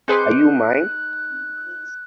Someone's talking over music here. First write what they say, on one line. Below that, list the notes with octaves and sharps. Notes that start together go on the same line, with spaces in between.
Are You Mine?
C4 D#4 G#4 B4 C6 D6 F#6